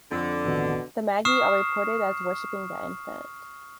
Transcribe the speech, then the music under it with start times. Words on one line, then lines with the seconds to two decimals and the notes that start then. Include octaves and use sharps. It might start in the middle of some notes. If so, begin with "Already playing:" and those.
The Magi are reported as worshiping the infant.
0.11 F2 D3
0.46 A1 B2 D#3
1.25 C#6 D#6 F6 C7 E7